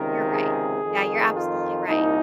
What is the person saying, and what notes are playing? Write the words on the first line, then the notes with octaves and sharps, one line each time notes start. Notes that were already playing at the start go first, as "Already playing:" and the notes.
You're right. Yeah, you're absolutely right.
Already playing: C#2 C3 D#3 A#4
G#4
F2 D#3
F4
C2 A#2 D#4